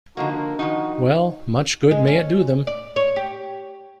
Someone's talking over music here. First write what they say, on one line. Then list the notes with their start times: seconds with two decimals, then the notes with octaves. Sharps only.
Well, much good may it do them!
0.17 D3 F3 A#3 D#4 F#4
0.37 A#4
0.59 D#3 F3 D#4 F#4
1.91 G#3
2.07 C#4
2.67 D5
2.96 C#5
3.16 G4